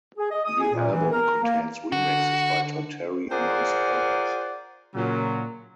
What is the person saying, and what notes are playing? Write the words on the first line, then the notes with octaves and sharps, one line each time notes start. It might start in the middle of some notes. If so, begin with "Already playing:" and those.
The album contains remixes by Todd Terry amongst others.
G#4
D#5
D#6
G#4
A#2
E3
A#4
A#3
D3 F#4
F4 G#4 A#4 C5 D5 F#5
A#2 C#3 F#3